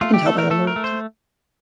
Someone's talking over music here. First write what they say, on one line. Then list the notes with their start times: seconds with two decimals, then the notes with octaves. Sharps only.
I can tell by your loyalty.
0.01 A3 F4
0.14 G4
0.26 A3 A4
0.38 A#4
0.50 A3 A4
0.67 A#4
0.76 A3
0.84 C5